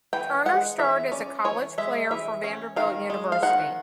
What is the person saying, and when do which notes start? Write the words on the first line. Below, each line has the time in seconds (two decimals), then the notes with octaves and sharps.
Turner starred as a college player for Vanderbilt University.
0.13 E3 G5
0.45 G#3 F#5
0.79 E3 E5
1.12 C#4 D5
1.44 E3 C#5
1.78 G#3 E5
2.11 E3 E5
2.44 C#4
2.76 D#3 F5
3.10 G#3
3.32 F5
3.42 D#3 F#5